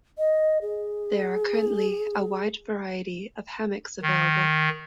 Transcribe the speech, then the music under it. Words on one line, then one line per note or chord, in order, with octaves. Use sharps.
There are currently a wide variety of hammocks available.
D#5
G#4
D#3